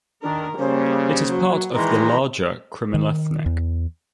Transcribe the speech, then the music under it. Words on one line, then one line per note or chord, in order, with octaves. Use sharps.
It is a part of the larger CrimethInc.
D#3 D4 A#4
C#3 G3 A#3 C#4 C5
F#3
A#2 D#3 E3 G#3 A#5 C6
D#3
E2